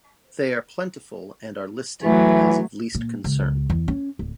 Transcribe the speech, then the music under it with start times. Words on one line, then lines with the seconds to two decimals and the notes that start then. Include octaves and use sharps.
They are plentiful and are listed as of Least Concern.
2.03 E3 F#3 A3
2.95 A#2
3.24 C#2
3.70 E2
3.88 C#4
4.19 D1